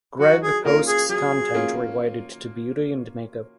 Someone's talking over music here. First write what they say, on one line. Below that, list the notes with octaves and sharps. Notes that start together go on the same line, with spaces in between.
Gregg posts content related to beauty and makeup.
F#3 F#4
G#4
A#3 C#4 F4 A#4
G#4
F#3 G#4
A#3 C#4 F4